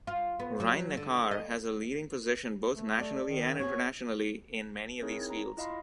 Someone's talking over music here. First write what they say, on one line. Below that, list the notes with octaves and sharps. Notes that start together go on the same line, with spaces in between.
Rhine-Neckar has a leading position both nationally and internationally in many of these fields.
F4
B3
F#3
D3
D#5
A3
A4 D5
D#3
B3 F#4 G#4 C#5
C4 D#4 E4 G#4 A#4 C#5
A#5
E4 F4 D#5 F5 B5 C6